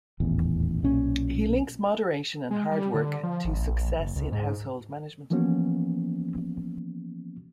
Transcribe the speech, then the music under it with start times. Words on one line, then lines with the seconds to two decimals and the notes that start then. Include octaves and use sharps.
He links moderation and hard work to success in household management.
0.20 D#1 A1 E2
0.83 B1 A#2 C#4
2.51 G#3
2.71 G3
2.94 D3
3.23 F3
3.45 G#1
3.59 A#1
3.99 F#1
4.16 C#2
4.32 G#2
5.30 E3 F3 A#3 B3 C#4 F#4